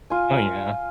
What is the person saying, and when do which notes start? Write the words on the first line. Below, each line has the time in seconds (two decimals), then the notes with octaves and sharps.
Oh, yeah.
0.10 F4 G#5